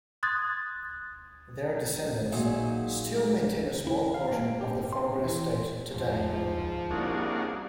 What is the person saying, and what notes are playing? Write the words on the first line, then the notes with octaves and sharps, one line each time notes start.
Their descendants still maintain a small portion of the former estate today.
C6 D#6 F#6 G#6 A6
A#2 F#3 D#4 G#4 E5
E4
F5
A#3
G4
C6
E3
G#2 F3
C2 G3 A#3 C#4 D4 F#4 G#4